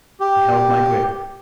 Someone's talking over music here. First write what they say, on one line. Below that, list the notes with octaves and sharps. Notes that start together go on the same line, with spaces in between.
I held my grip.
G4